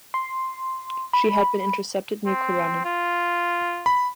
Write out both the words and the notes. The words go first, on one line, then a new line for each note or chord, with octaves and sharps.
She had been intercepted near Corunna.
C6
B5
C4
F4
B5